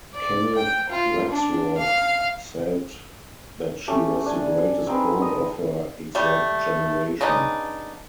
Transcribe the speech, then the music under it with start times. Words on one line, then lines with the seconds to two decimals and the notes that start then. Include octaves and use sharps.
Kenneth Rexroth said that she was the greatest poet of her "exact generation".
0.14 D5
0.55 G5
0.89 F4
1.30 D4
1.77 F5
3.88 A3 C#4 G4
4.26 D4 G#5 A5
4.87 C4 D#4 G#4 B4
5.22 D#5 A5
6.15 G3 A3
7.21 C#3 B3 D4 D#4